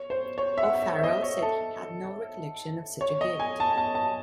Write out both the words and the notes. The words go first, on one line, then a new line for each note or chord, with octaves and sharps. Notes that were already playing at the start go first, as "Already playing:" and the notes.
O'Farrell said he had no recollection of such a gift.
Already playing: C#5
C5
C#5
E5
F#5
E5
E5
D#5
C#5
A4
C#5
D#5
G#5
A5
A5
A5